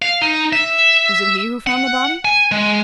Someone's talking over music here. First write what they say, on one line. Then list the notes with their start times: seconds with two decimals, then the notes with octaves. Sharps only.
'Is it he who found the body?'
0.02 F5
0.22 D#4
0.53 E5
1.67 F#5
2.25 G#5
2.52 G#3